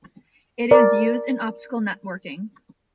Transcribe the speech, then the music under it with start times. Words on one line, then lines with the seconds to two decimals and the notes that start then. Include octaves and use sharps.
It is used in optical networking.
0.71 A#4 D5